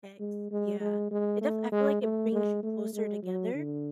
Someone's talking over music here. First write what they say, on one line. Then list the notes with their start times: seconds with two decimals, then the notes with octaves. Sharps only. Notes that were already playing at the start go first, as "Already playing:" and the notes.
text, yeah. It def I feel like it brings you closer together
0.20 G#3
0.51 G#3
0.80 G#3
1.11 G#3
1.41 A3
1.72 G#3
2.02 A3
2.32 G#3
2.63 A3
2.94 G#3
3.23 F#3
3.54 D3